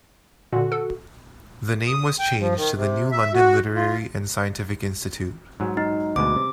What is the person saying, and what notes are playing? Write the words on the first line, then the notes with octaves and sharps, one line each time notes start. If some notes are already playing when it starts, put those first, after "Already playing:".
The name was changed to the New London Literary and Scientific Institute.
A#2 D3 F#4
A4
D#6
G5
F3
D#3
C3
E5
F#4
F4
G#2 F#3
D#4
D2 B2 G#3 D6
C3